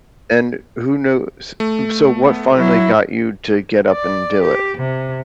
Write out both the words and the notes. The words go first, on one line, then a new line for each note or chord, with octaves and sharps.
and who knows so, what finally got you to get up and do it?
A3
B3
F#3 E4
D5
G4
C3